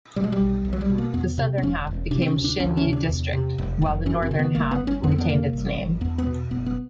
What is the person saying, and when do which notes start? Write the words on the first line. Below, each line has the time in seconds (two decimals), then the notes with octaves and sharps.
The southern half became Xinyi District while the northern half retained its name.
0.16 B2 G3
0.24 G#3
0.32 G3
0.40 B1
0.65 B1
0.73 F#3
0.81 G3
0.90 B2
0.98 A#3
1.13 E2 B3
1.38 C3
1.58 C4
1.63 E1 C#4
1.87 E1
2.11 C3 D4
2.22 C4
2.28 C#4
2.36 D2
2.44 D4
2.60 D2 C#4
2.77 C#4
2.85 C3
2.93 D4
3.09 E2
3.33 C3
3.58 F1
3.82 F1
4.06 F#2 C#4
4.22 C4
4.31 C#3
4.39 B3
4.55 G1 A#3
4.71 B3
4.80 G1
4.87 C#4
5.03 F2 B3
5.12 C4
5.18 B3
5.29 C3 A#3
5.53 G1
5.78 G1
6.01 E2 B3
6.18 B3
6.27 B2
6.51 F#1 B3
6.66 B3